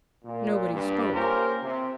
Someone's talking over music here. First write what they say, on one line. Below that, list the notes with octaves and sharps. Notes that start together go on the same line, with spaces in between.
Nobody spoke.
A#2
G2
A#3 C#4 F4 G4 A#4 C5
C3